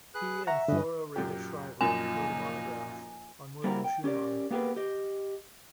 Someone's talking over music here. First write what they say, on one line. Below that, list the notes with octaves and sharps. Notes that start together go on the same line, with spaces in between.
He and Flora Rheta Schreiber wrote a monograph on William Schuman.
G#4 B4 F#6
E5 F#5 A#5 C#6
G2 D3 C#4 B4 D#5
F#2 A#2 G4
F#2 A#2 F3 A#3 D#4 G#5
G3 A#3 C4 E4 F#4 A#4
G5
C#4 G4 A#4 D5
A#3 B3 G4 G#4 A#4 B4
G4 D#5